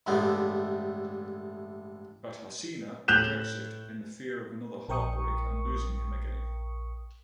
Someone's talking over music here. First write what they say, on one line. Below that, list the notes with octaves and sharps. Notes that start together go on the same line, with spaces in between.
But haseena rejects it in the fear of another heartbreak and losing him again.
A1 G2 D3 G#3 A3 B3
A2 F#6 G6 E7 F7
A#1 A#4 G5 C#6 D#6 C#7